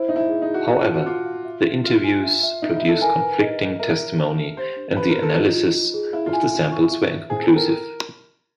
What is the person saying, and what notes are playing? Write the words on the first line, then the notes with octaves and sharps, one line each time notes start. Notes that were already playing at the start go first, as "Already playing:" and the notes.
However, the interviews produced conflicting testimony and the analyses of the samples were inconclusive.
Already playing: E4 C5
D#4 E5
E4
G#4
D#4
G#4
F#4
F#4 A5
F4
A5
F#4
F4 D6
F5
E5
E5
F4 E5
G#5
E5
E5
D#4 E5
E4
E5
A4
A#4 G#5
B4
D#5
G#4
A#4 E5
E5
A5
E5
G4 C5
D4
G4 B4
A#4
G4
A4
D#4 F4
F4
F4
G#4
E4 F5
F4
G#5
G#5
C#6
E5
E5
G#4 C5
A4
G5
A#4